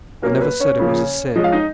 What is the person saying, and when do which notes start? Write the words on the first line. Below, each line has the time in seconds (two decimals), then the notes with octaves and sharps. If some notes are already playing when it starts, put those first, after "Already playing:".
"I never said it was a sin."
0.22 A#2 F#3 A#3 C#4 A#4
0.41 B4
0.60 C#4 C#5
0.79 C#3 F3 A#3
1.36 F3 G#3 C#4 D#5
1.44 F5
1.52 D#4 D#5